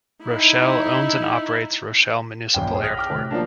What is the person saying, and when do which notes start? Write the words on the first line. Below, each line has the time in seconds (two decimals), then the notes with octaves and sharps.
Rochelle owns and operates Rochelle Municipal Airport.
0.24 D#4 E4
2.54 A#1 F#2 G5
2.69 G#4 C#5
2.83 D#6 F6 F#6 A#6 B6 F7
2.97 G5 D6 F6
3.10 A2 C3
3.31 F3 F#3 A#3 D4